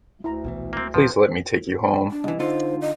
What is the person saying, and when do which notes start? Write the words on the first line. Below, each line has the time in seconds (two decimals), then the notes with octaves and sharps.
Please let me take you home?
0.24 D2 E4 A#5
0.44 A#1 B2 E3
0.73 A#3 C4
0.94 D1 A2 F3 C4 G4 B4 F5
2.11 D4
2.24 C2 E3 D#5
2.40 D3 D#4 F4 C5
2.81 D#5